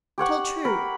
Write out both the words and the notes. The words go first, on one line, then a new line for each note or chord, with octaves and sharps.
Tell true.'
G4 C#5 F#5 C#6
A#4 B5